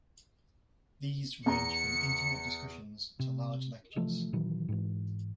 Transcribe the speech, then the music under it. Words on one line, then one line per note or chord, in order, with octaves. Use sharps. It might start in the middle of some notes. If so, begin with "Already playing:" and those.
These range from intimate discussions to large lectures.
E2 A#5 C#7
C3
C3 E3 F3 A3
A#2 D#3 E3 F#3
G#2 E3